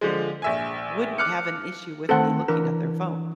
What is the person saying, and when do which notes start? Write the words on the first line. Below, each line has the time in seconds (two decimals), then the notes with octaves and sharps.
wouldn't have an issue with me looking at their phone."
0.01 D3 F3 G#3
0.42 A#1 E5 G#5
1.18 D6 F6 F#6 C#7
2.09 D#3 A3 C4 A4 C5 F#5
2.48 E3 D4 A#4